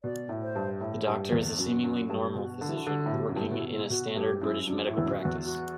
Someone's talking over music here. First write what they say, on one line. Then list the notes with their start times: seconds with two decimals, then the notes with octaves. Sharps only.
The doctor is a seemingly "normal" physician working in a standard British medical practice.
0.04 B2 D5
0.29 A2
0.42 C5
0.55 G2
0.81 A2
1.07 G2
1.32 E2
1.58 F#2 F#4
1.84 F#2
2.10 G2
2.35 B2 F#4
2.61 D3
2.69 E3
2.73 D3 F#4
2.87 D3
3.06 A2
3.13 B2 G4
3.29 F#2
3.32 G2 E4
3.44 A2
3.51 B2 E4
3.71 E4
3.90 B2 F#4
4.16 G2 G4
4.41 F#2 E4
4.67 F#2 D4
4.87 A2 F#4
4.94 E2 E4
5.06 F#2
5.19 F#4
5.25 E2
5.45 F#4